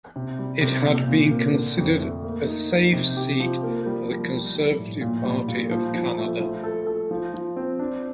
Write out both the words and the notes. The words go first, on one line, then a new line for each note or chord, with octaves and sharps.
It had been considered a safe seat for the Conservative Party of Canada.
C3
G3
C3
A#2
A#2
A#3
D3
F2
A3
A#3
D#4
D#4
C3
G4
F3
A#3
G3
G3
G3
G3
A2
A#2
G3
A#2
F3
F3
A3
F3
A4
A4
F3
F3
C4
D4